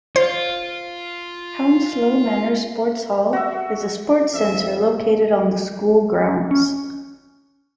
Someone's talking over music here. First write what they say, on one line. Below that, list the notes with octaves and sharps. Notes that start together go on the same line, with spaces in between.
Hounslow Manor Sports Hall is a sports center located on the school grounds.
F4 C5
F#4 E5
F2 E5
C#4